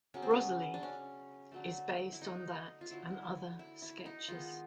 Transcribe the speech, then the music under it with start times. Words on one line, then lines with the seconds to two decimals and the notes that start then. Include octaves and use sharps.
Rosalie, is based on that and other sketches.
0.14 C#3 F#3 B3 C#4
0.22 C4
0.31 C#4
0.74 D4
0.83 C#4
1.52 D3 F#3 A3
2.12 E4
2.22 D#4
2.81 F4
2.90 D3 F#3 A3 E4
3.59 E4
3.82 E4
4.06 D#4
4.28 D#3 G#3 B3 F4